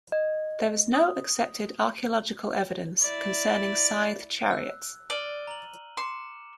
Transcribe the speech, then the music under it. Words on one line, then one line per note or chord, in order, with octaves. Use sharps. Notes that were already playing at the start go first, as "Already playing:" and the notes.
There is no accepted archaeological evidence concerning scythed chariots.
D#5
D#6
E4 D5
E6 F#6
D5 F6 D#7 G7
A#5 F#7
C6 D6 C#7 E7